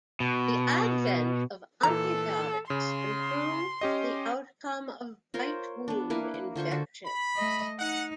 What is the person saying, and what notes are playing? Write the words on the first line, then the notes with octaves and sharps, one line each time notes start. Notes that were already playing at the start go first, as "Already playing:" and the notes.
The advent of antibiotics improved the outcome of bite wound infections.
B2
A#2 E3 A4 A#5
C#3 C6
C#4 G4 D#5
F4 A#4 C5 C#5
B3 D4
A#3 E4 B4 F5
A#3
D3 F4 C5 C#6
D3 F#4 A4 D5
B5
A3 D#5
D#4 F#5